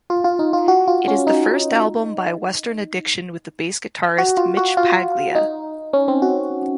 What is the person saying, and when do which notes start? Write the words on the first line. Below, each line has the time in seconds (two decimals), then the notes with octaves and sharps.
It is the first album by Western Addiction with the bass guitarist Mitch Paglia.
0.10 F4
0.24 F4
0.39 D#4
0.53 F4
0.68 F#4
0.87 F4
1.08 C#4
1.27 D#4
4.18 F#4
4.37 F4
4.57 F#4
4.77 F4
5.35 D#4
5.93 C#4
6.08 C4
6.22 F#4